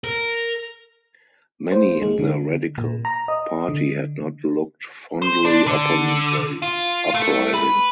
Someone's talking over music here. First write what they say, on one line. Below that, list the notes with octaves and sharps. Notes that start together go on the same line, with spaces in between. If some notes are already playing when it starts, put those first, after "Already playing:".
Many in the Radical Party had not looked fondly upon the uprising.
A#4
C5
G#3
D3
A#2
A#5
D#5
D3
C5
D4
D3
F4
A3
B4